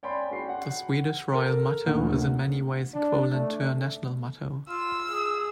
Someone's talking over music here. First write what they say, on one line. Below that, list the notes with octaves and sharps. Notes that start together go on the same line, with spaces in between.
The Swedish royal motto is in many ways equivalent to a national motto.
C#5 D5 G5 G#5 B5 C6
F#4 C7
F#5
A4 A#4
D2 A#2
D4
A3
F4 E6
G#4